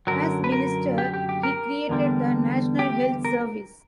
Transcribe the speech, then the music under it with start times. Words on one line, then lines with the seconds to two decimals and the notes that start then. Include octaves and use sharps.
As Minister, he created the National Health Service.
0.07 F#2 D3 F#3 A#4
0.44 B4
0.52 A#4
0.98 G4
1.14 G4
1.29 G4
1.43 A#4
1.89 E2 D3 G3
2.79 G4
3.25 A#4